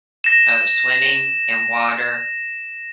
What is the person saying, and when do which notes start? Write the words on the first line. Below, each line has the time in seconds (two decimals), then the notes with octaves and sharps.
of swimming in water
0.24 A#6 E7